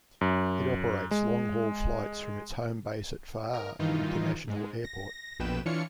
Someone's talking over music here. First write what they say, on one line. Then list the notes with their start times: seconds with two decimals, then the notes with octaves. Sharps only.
It operates long-haul flights from its home base at Faa'a International Airport.
0.21 F#2
1.11 G#3
3.54 A#4
3.79 G2 D#3 E3 D#4 F4
4.47 G#2 G#3
4.84 A#6
5.39 A#1 F2 B2 B4 G5 E7
5.66 E3 D4 F4 C#5 F6 C#7